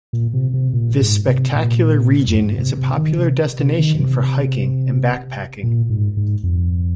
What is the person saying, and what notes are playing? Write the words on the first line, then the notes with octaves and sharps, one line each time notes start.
This spectacular region is a popular destination for hiking and backpacking.
A#2
C3
C3
A#2
G#2
C3
A#2
F2
G#2
C3
C3
D#3
C3
C3
D#3
C3
A#2
G#2
G#2
F2